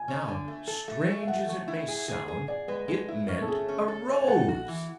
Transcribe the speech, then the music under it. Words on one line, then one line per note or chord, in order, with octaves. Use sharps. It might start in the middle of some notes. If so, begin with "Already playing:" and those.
Now--strange as it may sound--it meant a rose!
Already playing: G#5
C#4
D3
A3
A4
A3
A3
E5
A3 F#5
A3
E4
G#4
G#4
G#4
G#4 D5
G#3 B4
G#3 A4
E4
C#4
A4
A3 G#4
C#4
A4
A3
G#5
A4 F#5
F#4
E3